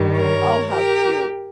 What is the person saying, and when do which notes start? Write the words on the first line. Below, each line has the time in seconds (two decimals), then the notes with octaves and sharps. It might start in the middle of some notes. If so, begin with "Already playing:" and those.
Oh, how cute.
Already playing: G2 D#3 G3
0.18 A#4 C#5
0.72 G4 A#4